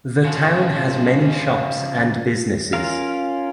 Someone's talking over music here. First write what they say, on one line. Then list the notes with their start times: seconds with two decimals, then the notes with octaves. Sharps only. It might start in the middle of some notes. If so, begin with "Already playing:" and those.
The town has many shops and businesses.
0.25 C#3 F3
2.73 C#4 F4 A#4 F5